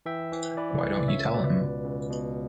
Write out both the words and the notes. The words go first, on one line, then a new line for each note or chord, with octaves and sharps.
Why don’t you tell him?
E3 E5 G5
E3
E3 B4 D5
C#2
D5
C#2 C#5 E5
B2 B4 D5
C#2
C#2
B2